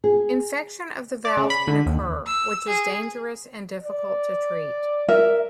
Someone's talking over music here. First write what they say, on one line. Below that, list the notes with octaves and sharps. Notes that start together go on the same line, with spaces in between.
Infection of the valve can occur, which is dangerous and difficult to treat.
G#4
D5
C#3
B5
D3
D#2
E6
G#4
D5
A#4 E5